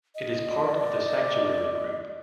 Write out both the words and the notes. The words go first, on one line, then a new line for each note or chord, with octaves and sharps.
It is part of the Sanctuary Group.
D#5
D5